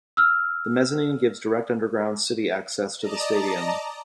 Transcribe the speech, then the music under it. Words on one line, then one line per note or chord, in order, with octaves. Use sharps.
The mezzanine gives direct underground city access to the Stadium.
E6 F6
D5 D#5 A5 A#5